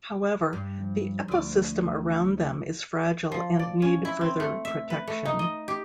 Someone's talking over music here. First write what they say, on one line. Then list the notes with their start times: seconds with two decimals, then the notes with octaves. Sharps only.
However, the ecosystem around them is fragile and need further protection.
0.53 G2
0.78 F3
1.28 D2 D5
3.32 F3
3.59 D5
3.82 C#4
4.05 E4
4.21 C4
4.40 A3
4.65 E5
4.90 B4
5.07 A3
5.25 D#4
5.39 D#5
5.68 G4